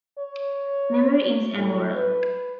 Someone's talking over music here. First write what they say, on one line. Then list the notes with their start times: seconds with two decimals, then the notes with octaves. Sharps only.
Memory is amoral.
0.19 C#5
1.55 A2
1.95 B4